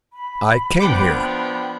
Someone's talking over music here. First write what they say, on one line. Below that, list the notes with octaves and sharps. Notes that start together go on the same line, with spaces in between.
I came here.
B5
F3 B3 D4 F#5 G5 D6